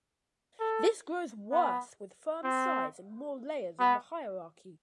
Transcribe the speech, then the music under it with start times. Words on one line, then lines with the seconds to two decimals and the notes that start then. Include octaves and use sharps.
This grows worse with firm size and more layers in the hierarchy.
0.60 A4
1.52 B3
2.44 C4
3.80 B3